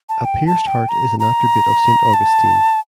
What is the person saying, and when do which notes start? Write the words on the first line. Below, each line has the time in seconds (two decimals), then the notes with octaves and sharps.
A pierced heart is an attribute of Saint Augustine.
0.09 A5
0.25 G5
0.47 A5
0.67 G5
0.89 A#5
1.20 A#5
2.14 A5